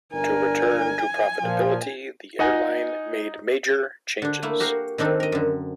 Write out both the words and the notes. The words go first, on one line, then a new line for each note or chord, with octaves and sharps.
To return to profitability, the airline made major changes.
G1 D4 A#4 G#5
A#2 F3
D#4 D#5 F#5 G#5
D3 D4
A3 A#3 E4
F#4 G4 A#4 F5 F#5
D#3 C4 D4 D#4 A4
A#4 D#5
F#2 D3